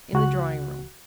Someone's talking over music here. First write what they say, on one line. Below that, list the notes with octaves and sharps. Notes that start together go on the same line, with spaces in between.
In the drawing-room.
C#2 F#4 F#6